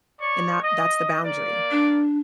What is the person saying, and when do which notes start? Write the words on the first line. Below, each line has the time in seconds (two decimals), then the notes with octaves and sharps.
and that that's the boundary.
0.20 C#5 D5 C#6
0.62 D#5
1.23 A#3 D5
1.71 D4